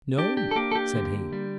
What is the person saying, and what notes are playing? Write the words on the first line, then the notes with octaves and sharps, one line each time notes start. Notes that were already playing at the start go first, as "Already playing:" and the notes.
"No," said he.
D4 G4
G4
A4
A#3 G4
A4
G4
D3
G3